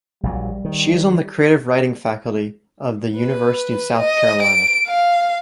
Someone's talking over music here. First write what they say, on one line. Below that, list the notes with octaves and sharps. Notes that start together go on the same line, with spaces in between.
She is on the creative writing faculty of the University of South Carolina.
A#1 A#2 F#3 G3
D#3
B4
D#5
D7
F5